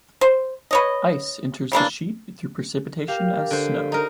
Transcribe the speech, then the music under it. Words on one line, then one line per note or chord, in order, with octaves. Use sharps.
Ice enters the sheet through precipitation as snow.
C5
B4 C#5 D#5
C#3 E3 A#3 D4
G4 A#4 F5
D4 A#4
D3 C5
B6
D#4 A#4